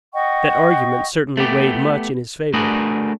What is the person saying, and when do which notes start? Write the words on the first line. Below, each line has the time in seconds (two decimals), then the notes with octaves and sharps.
That argument certainly weighed much in his favor.
0.14 D#5 F#5 G5 C#6
1.37 A3 B3 G4
2.54 A3 D4 F#4 G#4 A#4 B4